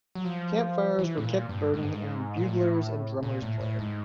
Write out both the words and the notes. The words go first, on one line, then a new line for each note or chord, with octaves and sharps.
Camp fires were kept burning, and buglers and drummers played.
F#3
F3
E3
A2
A#2
G2
G#2
G2
G#2
A#2
A2
A#2
A2
A2
G#2